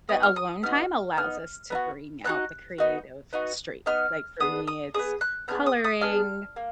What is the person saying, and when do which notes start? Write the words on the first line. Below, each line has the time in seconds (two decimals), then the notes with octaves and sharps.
that alone time allows us to bring out the creative streak. Like, for me, it's coloring,
0.09 B3 D#4 F#4 D#6
0.23 F6
0.36 D#6
0.63 B3 D#4 F#4 F6
1.17 B3 D#4 F6
1.70 B3 D#4
1.75 F#4
2.25 B3 D#4 F#4 F#6
2.78 B3 D#4 F#4
3.33 B3 D#4 F#4
3.86 B3 D#4 F6
4.40 B3 D4 G#4 D#6
4.67 D#6
4.94 D4 G#4 D#6
4.99 B3
5.21 F#6
5.48 B3 D4 G#4 F6
5.66 D#6
5.84 D#6
6.01 B3 D4 G#4 F6
6.56 A#3